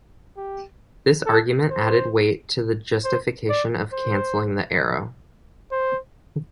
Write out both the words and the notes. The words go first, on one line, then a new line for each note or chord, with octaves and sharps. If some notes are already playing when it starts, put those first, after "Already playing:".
This argument added weight to the justification of cancelling the Arrow.
G4
A4
C5
C5
D5
C5
C5